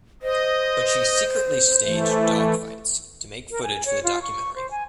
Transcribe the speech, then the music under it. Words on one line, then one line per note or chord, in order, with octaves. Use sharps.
But she secretly staged dogfights to make footage for the documentary.
C5 D#5
E3 A3
A#4
G#5
C#5
F4
C#6
C5
G#5